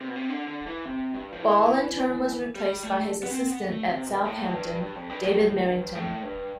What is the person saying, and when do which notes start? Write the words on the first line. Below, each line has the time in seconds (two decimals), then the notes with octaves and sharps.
Ball in turn was replaced by his assistant at Southampton, David Merrington.
0.01 C3
0.08 B2
0.16 C3
0.29 D3
0.48 D3
0.67 E3
0.85 C3
1.14 G2
1.32 F3
1.42 E3
2.55 G3
2.83 A3
3.23 B3
3.31 C4
3.50 B3
3.68 A3
3.87 C3
4.06 B2
4.20 G2
4.25 A2
4.53 G2
4.81 G2
4.95 F2
5.10 G2
5.24 A2
5.38 A2
5.66 G2
5.95 A2
6.23 G2